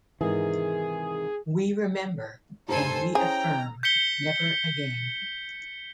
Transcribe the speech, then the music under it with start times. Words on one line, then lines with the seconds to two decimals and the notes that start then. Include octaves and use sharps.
We remember, and we affirm: never again.
0.21 G#2 C3 D#3 E3 G#4
2.69 F1 G2 A4 C5 G#5 A#5
3.15 C#4 E4 G#4 C5 G5 A#5
3.83 G6 B6 C#7 G7